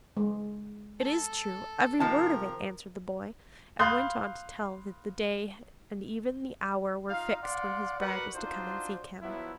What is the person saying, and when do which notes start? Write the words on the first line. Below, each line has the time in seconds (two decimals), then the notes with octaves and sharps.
'It is true--every word of it,' answered the boy; and went on to tell that the day and even the hour were fixed when his bride was to come and seek him.
0.17 G#3
1.00 A4
2.00 C3 F3 D#4 A#4 A5
3.79 F5 B5 C6 D#6 F#6 G6
7.10 D#4 F4 F5
7.43 D5 F5 F#5 C6
8.00 F#4 A#4 B4 D5 F#5
8.35 D4 D#4 F4 F#4 C5
9.22 F3 F#3 B3 E4